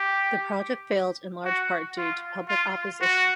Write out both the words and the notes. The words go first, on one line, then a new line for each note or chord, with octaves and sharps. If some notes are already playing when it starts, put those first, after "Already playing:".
The project failed in large part due to public opposition.
Already playing: G4
F#4
F4
F4
F#4